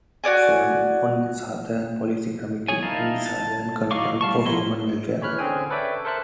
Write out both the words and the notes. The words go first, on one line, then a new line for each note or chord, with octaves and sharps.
He served on the Southern Policy Committee and the Southern Conference for Human Welfare.
F#4 C#5 D5 G#5
G#4 C#5 G#5
D#4 E4 A#4 F5 A5
A5
F#3 D#4 F5 C#6 D6
G3 F5 A5 C#6
F3 B3 E4 A#4 C6
E3 C#5 B5 F6 F#6
D3 C4 C#4 G#4 G5 G#5
A4 B4 C#5 D5 E5 G5
A4 A#4 C5 E5 A5 F#6